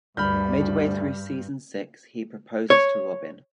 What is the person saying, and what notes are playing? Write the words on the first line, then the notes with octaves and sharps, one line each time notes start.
Midway through season six, he proposes to Robin.
D2 G2 G3 B5 F6 G6
C#5